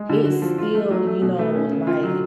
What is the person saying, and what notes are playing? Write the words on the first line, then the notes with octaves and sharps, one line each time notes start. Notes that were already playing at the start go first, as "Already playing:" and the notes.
it still, you know, like,
Already playing: G#3
D3
F#4
F3
F4
A3
F#3
A3
B2
A3
C#4
C#3
F4
F#3